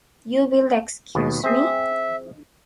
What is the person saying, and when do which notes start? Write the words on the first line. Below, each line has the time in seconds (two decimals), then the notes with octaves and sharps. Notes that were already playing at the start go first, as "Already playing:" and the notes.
You will excuse me.
1.15 D#2 B2
1.44 C4 G#4 E5